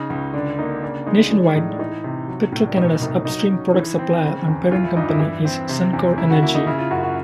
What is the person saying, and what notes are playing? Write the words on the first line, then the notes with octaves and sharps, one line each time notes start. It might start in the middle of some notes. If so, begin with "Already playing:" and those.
Nationwide, Petro-Canada's upstream product supplier and parent company is Suncor Energy.
Already playing: C#3 D#4
C#2
D3 D4
A#3 D#4
C#3 D4
G#3 D#4
E3 D4
A2 D#4
D4
E3 D#4
C3
F#3
A2
D4
B2 D#4
C2 D#4
F#3 D#4
C#4
E3
C4
C#3
E2
E3 F4
E4
G2 D#4
E4
E3
C4
C3
E2
C#3 E4
F#4
A#3 E4
D#4
C#3 E4
F4
F#2 F#4
F#4